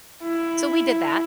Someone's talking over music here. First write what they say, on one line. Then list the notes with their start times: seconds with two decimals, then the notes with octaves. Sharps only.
So, we did that
0.23 E4